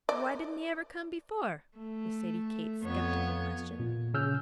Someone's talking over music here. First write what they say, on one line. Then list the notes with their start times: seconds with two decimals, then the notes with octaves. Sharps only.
"Why didn't he ever come before?" was Sadie Kate's skeptical question.
0.09 D5
1.78 A3
2.84 F2 B3 C#5
3.80 A#2
4.14 C#3 C#4 E6 F6 G6